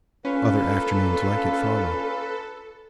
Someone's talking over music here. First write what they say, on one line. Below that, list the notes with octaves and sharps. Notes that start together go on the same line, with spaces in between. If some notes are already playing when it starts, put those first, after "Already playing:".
Other afternoons like it followed.
A#3 C#4 D4 F4 A4 B4